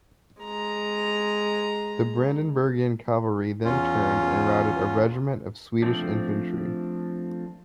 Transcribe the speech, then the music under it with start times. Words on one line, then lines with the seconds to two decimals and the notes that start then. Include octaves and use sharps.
The Brandenburgian cavalry then turned and routed a regiment of Swedish infantry.
0.41 G#3 A#5
3.65 E2 C#4 F4
5.83 F3 A3 C4 D4